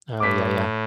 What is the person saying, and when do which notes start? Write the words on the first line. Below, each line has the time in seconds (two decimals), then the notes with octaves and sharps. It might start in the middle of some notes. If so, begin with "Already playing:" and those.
Oh, yeah, yeah.
0.20 A2 D6 B6